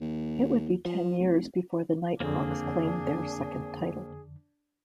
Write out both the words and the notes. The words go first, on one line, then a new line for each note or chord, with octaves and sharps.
It would be ten years before the Knighthawks claimed their second title.
D#2
F3
F1
F2 D3 A#3 C4 D4 G#4